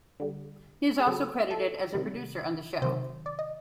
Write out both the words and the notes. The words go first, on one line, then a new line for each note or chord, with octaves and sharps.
He is also credited as a producer on the show.
D3 G3
G#4
C#3 F#3 A4
A4
C3 D#3 G3
C3 D#3 F#3 C5
D5
D#5